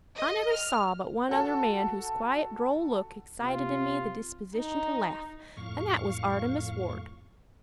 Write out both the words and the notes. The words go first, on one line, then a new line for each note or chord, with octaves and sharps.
I never saw but one other man whose quiet, droll look excited in me the disposition to laugh, and that was 'Artemus Ward.'
D#5
F6
F#4 A4
C3 F4
D#4
F2 A2 F5 C#6